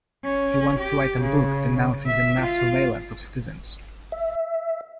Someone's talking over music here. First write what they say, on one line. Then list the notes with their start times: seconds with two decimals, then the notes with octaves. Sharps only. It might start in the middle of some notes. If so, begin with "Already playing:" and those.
He wants to write a book denouncing the mass surveillance of citizens.
0.24 C#4
0.80 G4
1.22 C#3
2.06 E5
2.41 F4
4.12 E5